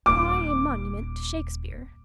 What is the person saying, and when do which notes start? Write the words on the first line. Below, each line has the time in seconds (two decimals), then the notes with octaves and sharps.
Why a monument to Shakespeare?
0.06 D#1 D#4 D6